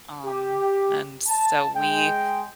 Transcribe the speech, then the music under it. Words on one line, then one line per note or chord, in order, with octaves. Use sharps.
um, and so we
G4
A5
G#3 G5